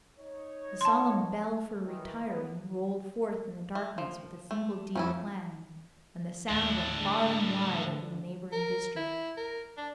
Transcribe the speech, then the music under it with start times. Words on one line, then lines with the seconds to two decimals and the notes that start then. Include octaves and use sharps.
The solemn bell for retiring rolled forth in the darkness with a single deep clang, and the sound went far and wide over the neighbouring district.
0.18 D#4 C#5
0.81 A5 C6
1.84 D#3 E3
2.24 G#3 B3
3.75 A3
3.98 F3
4.51 A3
4.95 F2 A3 C#4 E4
6.49 D#2 A2 D4
6.96 D3 G#3
7.86 D3
8.52 A#4
8.96 E4
9.37 A#4
9.77 D4